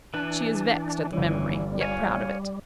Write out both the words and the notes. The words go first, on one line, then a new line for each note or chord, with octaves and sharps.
She is vexed at the memory, yet proud of it.
E3 D4 B4 F#6
G1 E3 G3 C#4
C#5 F5 G#5